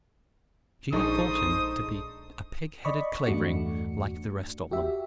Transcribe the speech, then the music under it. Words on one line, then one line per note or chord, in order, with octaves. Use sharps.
She had thought him to be a pigheaded Clavering, like the rest of them.
A#1 G#3 D4 D#4 A4 C5 C#6 D#6
D5 D#5 B5 C#6
E2 G2 A3 D4 F#4 C#7
F#4 G4 E5